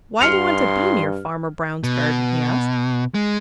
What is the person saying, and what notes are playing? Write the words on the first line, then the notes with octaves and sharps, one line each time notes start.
"Why do you want to be near Farmer Brown's garden?" he asked.
G2 C6 F6 C#7 F7
B2
G#3